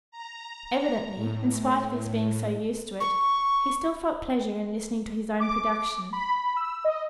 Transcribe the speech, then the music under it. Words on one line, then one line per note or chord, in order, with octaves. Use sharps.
Evidently, in spite of his being so used to it, he still felt pleasure in listening to his own productions.
A#5
A2
C#6
D6
B5
E6
D#5